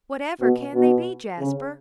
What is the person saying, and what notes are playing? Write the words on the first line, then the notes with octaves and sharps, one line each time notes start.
"Whatever can they be, Jasper?"
B2
B2
C#3